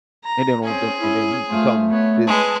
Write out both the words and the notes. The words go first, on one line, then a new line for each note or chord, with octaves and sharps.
And then on them and then you become this,
A#5
C4 C#4 G#4
C#4 E4
A3 F4 C5
B3 C#5
G#3 B4 A5